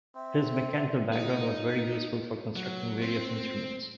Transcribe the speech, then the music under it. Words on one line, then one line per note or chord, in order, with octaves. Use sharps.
His mechanical background was very useful for constructing various instruments.
C4 E5
D#4
F#3
C4